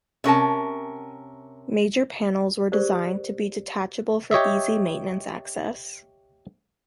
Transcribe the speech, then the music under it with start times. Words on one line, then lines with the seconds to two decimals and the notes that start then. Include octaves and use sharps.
Major panels were designed to be detachable for easy maintenance access.
0.24 C3 C#4 A#4 A5
2.72 G4 G#4 A#4 C5 D5
4.31 G4 C#5 D#5 E5